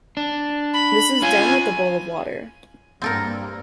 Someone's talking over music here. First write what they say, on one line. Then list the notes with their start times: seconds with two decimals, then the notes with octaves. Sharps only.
This is done with a bowl of water.
0.17 D4
0.74 B5
1.22 C#4 F4 G#5
3.02 G2 A#3 C4 A4 A#4